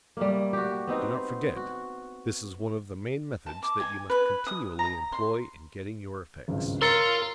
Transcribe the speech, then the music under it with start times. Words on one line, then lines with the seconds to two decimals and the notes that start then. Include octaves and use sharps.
Do not forget: this is one of the main methods that you must continually employ in getting your effects.
0.17 G3 A3 A#3
0.53 F#4 G4
0.87 B3 C4 D#4
1.56 F#4
3.46 A5
3.63 D6
3.80 G#5
4.10 B4
4.47 D#6
4.79 A#5
5.12 C6
6.48 G#1 C#2 G2
6.82 A#4 C#5 F5 C6 E6 A6 C#7